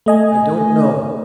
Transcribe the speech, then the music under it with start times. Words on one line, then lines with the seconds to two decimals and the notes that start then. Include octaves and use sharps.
I don't know!
0.06 A3 D#5 G#5